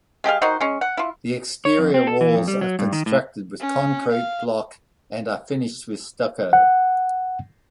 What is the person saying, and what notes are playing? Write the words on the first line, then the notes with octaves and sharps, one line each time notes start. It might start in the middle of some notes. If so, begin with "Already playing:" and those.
The exterior walls are constructed with concrete block and are finished with stucco.
G#3 G4 G#4 F5
D#3 D#4 F#4 C5
G#3 C#4
F#5
E4 F4
C#5
F2
C4
A4
E3
F2
G3
F#3
G2
D#3
A2
C#4
F5
F#5